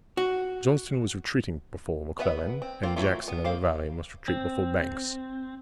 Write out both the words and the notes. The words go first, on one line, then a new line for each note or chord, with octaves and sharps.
Johnston was retreating before McClellan, and Jackson in the valley must retreat before Banks.
F#4
B3 B4 E5 F#5
C4
A#3 C4 F4
E3 F#3 A3 E4 F4
B3
A#3 C5 F5
C4